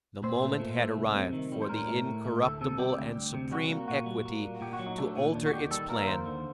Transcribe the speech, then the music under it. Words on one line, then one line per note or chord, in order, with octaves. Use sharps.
The moment had arrived for the incorruptible and supreme equity to alter its plan.
A#2 C5
A3
A#2
A3
C2
C3
D#3
G3
C5
A2 A#4
A3
A2
A3
D2 A4
C3 A4
G3 G4
D2
D2
C3
G3 F#4
A#3
A#2 F#4
G3
A#3
A#2
A#2 G4
F#4
F#3
D#4
A3 D4
A#2
D#2 D4
F#4
D#3 G4
G3 A4
A#3 A#4
D#2 C5
D3